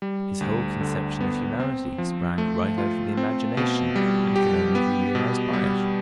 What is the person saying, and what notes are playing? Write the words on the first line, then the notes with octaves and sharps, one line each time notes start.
His whole conception of Humanity sprang right out of the imagination and can only be realised by it.
G3
D2
D3
B3
C4
F3
A3
F4
C4
B2
G3
G4
B3
B2
G3